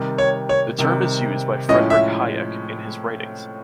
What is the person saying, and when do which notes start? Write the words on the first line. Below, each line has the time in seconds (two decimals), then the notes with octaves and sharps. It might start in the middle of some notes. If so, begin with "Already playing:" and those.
The term is used by Friedrich Hayek in his writings.
Already playing: C3 D#3 G3
0.18 C#5
0.49 C#5
0.78 C3 D#3 G3
1.69 A2 F3 G#3 C#4 E4 D#5
1.90 E5